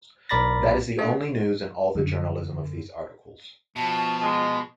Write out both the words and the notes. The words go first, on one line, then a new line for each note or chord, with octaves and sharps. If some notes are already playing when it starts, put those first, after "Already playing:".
That is the only 'news' in all the journalism of these articles.
B1 A#4 D5 B5 A6 A#6
A3 D4
F#2 D3
B2 F3 A5
G#3